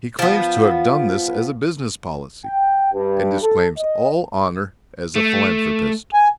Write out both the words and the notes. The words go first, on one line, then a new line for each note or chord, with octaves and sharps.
He claims to have done this as a business policy, and disclaims all honor as a philanthropist.
F3 B3
G5
G2
A4
D#5
A3
G#5